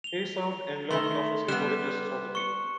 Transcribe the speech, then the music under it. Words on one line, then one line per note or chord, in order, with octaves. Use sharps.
He served in local office including justice of the peace.
F7 G7
D#3 A3 C6 G7
G3 B3 F#6 E7
C#6 C#7